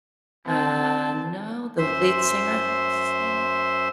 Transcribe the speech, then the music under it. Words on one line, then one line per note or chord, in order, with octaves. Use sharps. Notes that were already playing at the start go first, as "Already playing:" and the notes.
Uh, no, the lead singer, what's his name?
C4 A5
F#2 C5 E5 C6